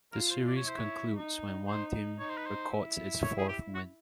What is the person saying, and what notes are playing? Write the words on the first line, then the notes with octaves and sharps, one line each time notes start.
The series concludes when one team records its fourth win.
F4 A#4
C5
D5
C#5
E4 C5
C#5
D#4
D#4 C5
D#4 C#5
C5
B4
C5
E4
C#5
G#4
G4
F#4